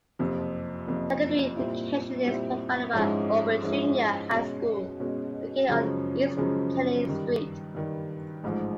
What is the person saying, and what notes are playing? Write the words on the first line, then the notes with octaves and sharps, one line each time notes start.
Secondary education is provided by Auburn Junior High School, located on East Kenney Street.
F#1 F2 C3 F3
F#1 F2 C3 F3
A#2 G3 C4 E4
A#2 G3 C4 E4
G#2 F3 G#3 C#4 E4
G#2 F3 G#3 C#4 E4
B2 G#3 C#4
B2 G#3 C#4
F#2 C#3 F3 G#3 C#4
F#2 C#3 F3 G#3 C#4
G2 D#3 G3
G2 D#3 G3
A1 G#2 F3 G#3